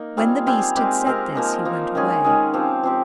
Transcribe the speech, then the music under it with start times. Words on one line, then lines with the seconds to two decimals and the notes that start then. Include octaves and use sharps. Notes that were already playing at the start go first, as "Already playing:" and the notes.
When the beast had said this, he went away.
Already playing: A#3 D#4
0.17 G3 C4 F4 G#4
0.47 G3 C4 F4 G#4
0.76 G#3 C4 G4 A#4
1.06 G#3 C4 G4 A#4
1.35 F3 A#3 D#4
1.65 F3 A#3 D#4
1.95 D#3 G#3 C#4 G#4
2.24 D#3 G#3 C#4 G#4
2.54 F3 C4 G4
2.83 F3 C4 G4